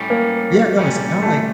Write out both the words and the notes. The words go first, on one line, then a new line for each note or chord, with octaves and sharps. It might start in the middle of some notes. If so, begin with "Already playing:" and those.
Yeah, no, it's kinda like
Already playing: A2 G3 C#4
A#3
A#2 G3 C#4
A3